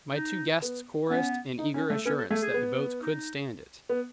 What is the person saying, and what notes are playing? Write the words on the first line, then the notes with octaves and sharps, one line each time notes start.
My two guests chorused an eager assurance that the boats could stand it.
D#4
B3
B3 C#4
D#4
C#4
A3
B3 C#4
A4
A3 G#4
G#4
B3
D#4
B3